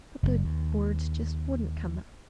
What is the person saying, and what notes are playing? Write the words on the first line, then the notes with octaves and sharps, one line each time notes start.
But the words just wouldn't come.
F#1
D#2